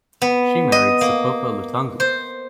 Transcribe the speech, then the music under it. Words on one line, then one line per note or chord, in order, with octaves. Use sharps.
She married Sipopa Lutangu.
B3
D#5
A#3
C5